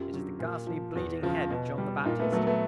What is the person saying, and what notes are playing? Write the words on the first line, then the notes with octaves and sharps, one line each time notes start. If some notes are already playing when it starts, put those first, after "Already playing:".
It is the ghastly, bleeding head of John the Baptist!
Already playing: F#2 F4 G4
D3 F#3
A#2
F3
E2
C#3 F3
B2
G3
A#2 D#4 F4
A3 B3
F#3 A3 B3
A3 B3